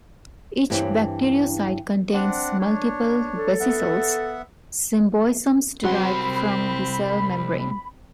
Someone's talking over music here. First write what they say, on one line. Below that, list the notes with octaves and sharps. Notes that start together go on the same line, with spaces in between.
Each bacteriocyte contains multiple vesicles, symbiosomes derived from the cell membrane.
G2 E3 C4 G4 C#5
C4 D4 F#5
D4 C#5
A4
B3 E5 F#5
C2 F#3 C4 F#5 B5 C6